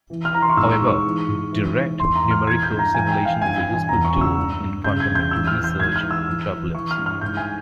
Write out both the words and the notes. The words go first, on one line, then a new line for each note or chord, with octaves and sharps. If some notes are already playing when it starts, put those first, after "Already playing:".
However, direct numerical simulation is a useful tool in fundamental research in turbulence.
E3
F6
E3 A#5
C6
C#6
G#2 E6
C#6
G#2
C#6
E3
G#2
E3
E3
E2 C6
A#5
E3
F6
E3 G#6
G6
G2
A#5
E3 G#5
G5
E3
F5
G2 G#5
G#5
E3
G#5
E2 A#5
C#6
C#3
E6
G2
G2
C#3 G6
G#6
E2
G6
E3 E6
F6
E3
G6
G#2 G#6
F6
E3
E6
E3
E3
E3 C#6
F6
G2
F6
G#2 G6
G#5